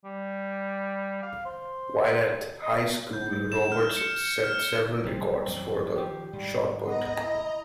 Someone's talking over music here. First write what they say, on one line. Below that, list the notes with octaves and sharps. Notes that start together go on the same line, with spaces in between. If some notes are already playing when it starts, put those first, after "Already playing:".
While at high school, Roberts set several records for the shot put.
G3
F5
C5
D#5
G6
E7
F6
C#7
F6
B1 G#2 E3 C4
F#2 E3
D#3 F3 G4
G#2 G3
B3 D#5 A#5
E4